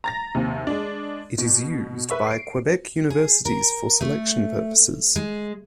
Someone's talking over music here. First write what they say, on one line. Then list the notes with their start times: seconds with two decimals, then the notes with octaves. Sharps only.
It is used by Quebec universities for selection purposes.
0.04 A#5 A6 A#6
0.35 A#1 D#2 C3
0.67 G#3 D4
1.38 B2
2.10 B4 E5 C#6
2.27 C7 D7
3.10 G#4
3.45 A#4
4.01 A3
5.16 G#3